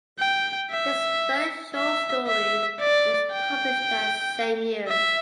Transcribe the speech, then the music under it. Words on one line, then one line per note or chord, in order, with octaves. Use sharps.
His first short story was published that same year.
G5
E5
E5
E5
D5
G5
E5